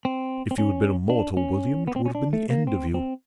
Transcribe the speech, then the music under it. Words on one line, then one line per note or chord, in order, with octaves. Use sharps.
"If you had been a mortal, William, it would have been the end of you."
C4
C4
C#4
D4
C#4
B3
C4
C#4
D4
A3
A#3
C4
C4